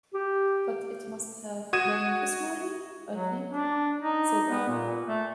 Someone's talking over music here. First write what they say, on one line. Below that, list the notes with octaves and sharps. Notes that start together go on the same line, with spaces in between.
"But it must have been this morning, I think," said I.
G4
F#4 D#6 G#6 D#7 E7
F#3
D4
D#4
B3
A#2
A3